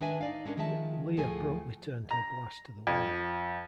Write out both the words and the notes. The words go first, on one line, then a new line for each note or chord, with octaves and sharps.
Liah promptly turned her glass to the wall.
D#3 G#3 D4 B4 E5 G#5
D#4 D5 F5
G#3 C#4 D4 A4 A#4
D#3 F3 G#3 E5 A5
D2 A2 F3 A3 G#4 G#5
A#5
F2